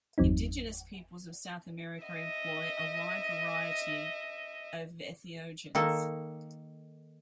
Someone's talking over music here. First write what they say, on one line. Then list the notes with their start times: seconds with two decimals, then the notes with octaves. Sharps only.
Indigenous peoples of South America employ a wide variety of entheogens.
0.18 G1 E2 F#3 C4 D#4
2.02 D#5 E5
5.75 D#3 A#3 A4